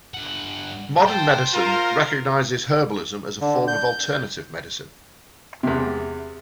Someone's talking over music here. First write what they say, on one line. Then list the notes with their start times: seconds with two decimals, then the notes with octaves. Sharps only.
Modern medicine recognizes herbalism as a form of alternative medicine.
0.14 G2 F#5
1.06 F4 C5 G5 A5
1.54 F4 A#4
3.41 D3
3.68 G6
5.63 E2 C3